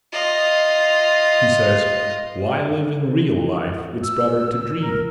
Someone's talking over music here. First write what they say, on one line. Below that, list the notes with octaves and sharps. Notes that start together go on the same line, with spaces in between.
He says, 'Why live in real life? It's better to dream.
F4 D#5
E6
A#4